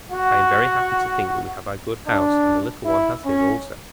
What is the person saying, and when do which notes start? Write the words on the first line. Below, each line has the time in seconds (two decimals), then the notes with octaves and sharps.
I am very happy to think that we have our good house, and the little one has his also!
0.12 F#4
2.07 D4
2.85 E4
3.25 C#4